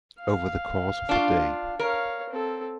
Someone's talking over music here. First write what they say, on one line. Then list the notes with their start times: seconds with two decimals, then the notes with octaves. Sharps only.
Over the course of the day.
0.20 F5
1.09 D4 F4
1.79 A#4 C#5 F5
2.30 C4 A4